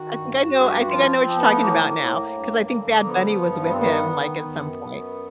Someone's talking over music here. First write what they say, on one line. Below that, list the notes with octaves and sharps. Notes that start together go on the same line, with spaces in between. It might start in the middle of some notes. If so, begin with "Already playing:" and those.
I think I know I think I know what you're talking about now, 'cause I think Bad Bunny was with him, like, at some point.
Already playing: D#3 F#4
G2
G2 G#4
G4
F#4
F3 F4
C4
F3
B3
A3
A2 A#3
A#3
A2
A#3
G2
D3
F3 B3
G2
C4
D#3 B3
D#3
F#2
F#2